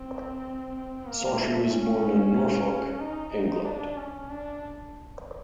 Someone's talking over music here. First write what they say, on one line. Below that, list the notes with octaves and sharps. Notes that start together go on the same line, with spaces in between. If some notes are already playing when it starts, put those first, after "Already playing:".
Sawtrey was born in Norfolk, England.
Already playing: C4
A#3
A3
C#4
D#4
D#4
D4
C#4
D4